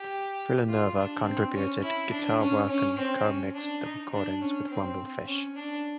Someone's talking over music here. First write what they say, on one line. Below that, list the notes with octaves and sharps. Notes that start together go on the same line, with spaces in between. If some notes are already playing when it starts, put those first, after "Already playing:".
Villanueva contributed guitar work and co-mixed the recordings with Rumblefish.
Already playing: G4
F4
D4
C4
C#4
E4
D4
C#4
C#4
C4
C#4
D4
D#4
D4
C#4
C4
C#4
D4